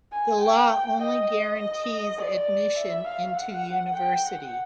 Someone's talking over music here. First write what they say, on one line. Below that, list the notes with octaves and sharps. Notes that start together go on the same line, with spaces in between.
The law only guarantees "admission" into university.
G#5
G5
D#5
D#5
D5
E5
F5
F#5
G5
F#5